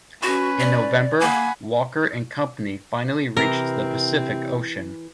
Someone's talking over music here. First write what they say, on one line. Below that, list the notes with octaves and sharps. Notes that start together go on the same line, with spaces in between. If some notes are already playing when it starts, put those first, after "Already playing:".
In November, Walker and company finally reached the Pacific Ocean.
C#4 F#4 B4
D5
A#3 F#5 G#5 B5
C3 E3 C4 A#4